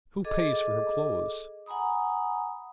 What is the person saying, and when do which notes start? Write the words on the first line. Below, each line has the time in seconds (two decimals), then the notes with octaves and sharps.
Who pays for her clothes?
0.24 G#4 A4 D#5 D6
1.66 F#5 G#5 A#5 B5 D#6